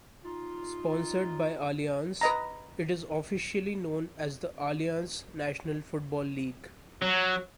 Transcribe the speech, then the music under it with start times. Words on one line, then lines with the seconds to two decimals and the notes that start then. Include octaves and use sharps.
Sponsored by Allianz, it is officially known as the Allianz National Football League.
0.25 D#4 F4
2.21 B4 D#5 A#5
7.02 F#3